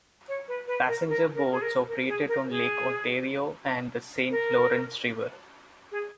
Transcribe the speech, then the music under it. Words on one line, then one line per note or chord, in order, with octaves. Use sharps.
Passenger boats operated on Lake Ontario and the Saint Lawrence River.
C#5
B4
B4
A#4
A#4
A#4
G#4
A#4
A#4
G#4
A#4
G#4
A#4
G#4